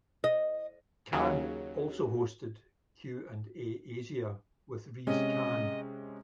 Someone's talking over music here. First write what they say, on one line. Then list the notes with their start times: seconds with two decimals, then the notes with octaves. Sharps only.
Khan also hosted "Q and A-Asia with Riz Khan".
0.24 D#5
1.12 D#2 C#3 F#3
5.07 C3 G#3 C#4 D#5